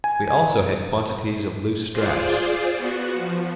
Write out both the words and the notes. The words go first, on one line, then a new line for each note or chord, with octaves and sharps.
We also had quantities of loose straps.
G#5
F4 G#4 C5 D5
B3 F#4
F3